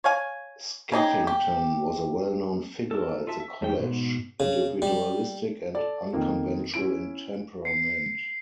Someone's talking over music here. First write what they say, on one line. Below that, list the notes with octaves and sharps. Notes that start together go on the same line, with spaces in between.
Skeffington was a well-known figure at the college, individualistic and unconventional in temperament.
C#5 F5 G#5
C#3 D#4 G4 G#4
G4
A4 A#4
F4 A4 E5 A5
E5
E2 G3 D4 G5
G#2 B2
C#3
G3
A4 D5
F2 D#3 A#3
C#4 E4 D7
C7 C#7